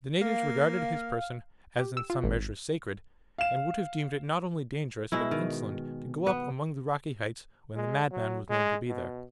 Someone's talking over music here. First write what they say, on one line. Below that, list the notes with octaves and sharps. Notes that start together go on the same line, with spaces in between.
The natives regarded his person as in some measure sacred, and would have deemed it not only dangerous but insolent to go up among the rocky heights when the madman was known to be there.
A#3 F5
G4
E6
F4
G#1
F5 E7
B2 G#3 E4
D#3
B3
G#3
F#3
G#3
B2